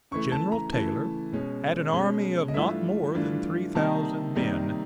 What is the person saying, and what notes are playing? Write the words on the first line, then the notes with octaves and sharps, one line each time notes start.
General Taylor had an army of not more than three thousand men.
C#3 E3 A3 C#6
A5
A#5
C#3 E3 A3 A5
B2 G#3 C#4
B2 G#3 C#4
D#5
G2 E3 A3 D4 F4 E5
G2 E3 A3 D4 F4
C3 D#3 G3 A#3 D#4 A5
C3 D#3 G3 A#3 D#4